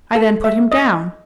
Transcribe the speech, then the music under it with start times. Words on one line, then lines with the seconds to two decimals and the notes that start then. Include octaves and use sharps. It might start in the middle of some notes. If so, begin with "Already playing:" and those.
I then put him down.
0.15 A4
0.44 E5
0.72 D#5